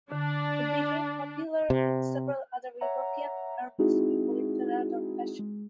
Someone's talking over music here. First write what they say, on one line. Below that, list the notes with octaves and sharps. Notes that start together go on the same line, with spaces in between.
It became popular in several other European armies before it fell out of fashion.
D3 D4
C3
C#5 E5 F#5 A#5
G#3 C4 D#4 E4 F#4 G#4
G#3